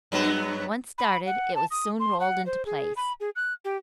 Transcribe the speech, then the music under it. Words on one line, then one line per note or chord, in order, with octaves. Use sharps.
Once started, it was soon rolled into place.
G2 F#3 B3
B5
F#5
A5
D#6
C6
F#5
C5
G#4
B5
G#4
F#6
G4